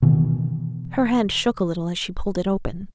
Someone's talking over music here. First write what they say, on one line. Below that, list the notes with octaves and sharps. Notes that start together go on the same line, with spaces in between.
Her hand shook a little as she pulled it open.
B2 D#3 E3